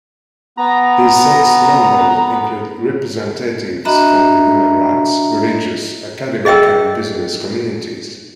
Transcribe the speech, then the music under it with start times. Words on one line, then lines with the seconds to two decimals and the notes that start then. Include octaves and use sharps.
These six members include representatives from the human rights, religious, academic, and business communities.
0.57 B3 A#5
3.85 D4 F#4 D#5 E5 A#5 B5
6.45 G#4 D#5 E5 G5 E6